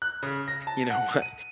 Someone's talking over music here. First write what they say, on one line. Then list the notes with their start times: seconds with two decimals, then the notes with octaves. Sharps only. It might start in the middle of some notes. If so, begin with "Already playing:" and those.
you know what,
0.02 F#6
0.23 C#3
0.48 A#6
0.67 A5
0.90 F#5
1.22 D#7